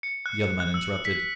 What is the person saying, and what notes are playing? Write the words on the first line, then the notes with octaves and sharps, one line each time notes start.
The other man interrupted.
C#7
F#6
F#6
E6
B6